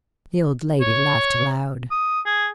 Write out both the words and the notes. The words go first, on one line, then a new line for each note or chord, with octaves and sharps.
The old lady laughed aloud.
C#5
D#6
G#4